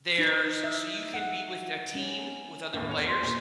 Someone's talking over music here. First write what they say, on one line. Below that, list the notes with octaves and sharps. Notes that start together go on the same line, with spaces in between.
There's so you can be with a team with other players,
D#4
E5
F#5
C#4
G1 D#2 A2
E2 C#5 F7
C5
A#2